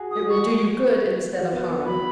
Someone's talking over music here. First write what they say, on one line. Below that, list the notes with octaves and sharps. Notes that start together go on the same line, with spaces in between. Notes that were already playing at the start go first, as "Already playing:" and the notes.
'It will do you good, instead of harm.
Already playing: F#4 G#4
F#4 D#6
F#4 C#6
F#4
B3
B3
F#3 B5